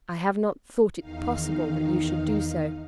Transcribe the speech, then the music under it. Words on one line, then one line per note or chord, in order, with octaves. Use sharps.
I have not thought it possible that you should do so.
E2 D#3 D#4 F5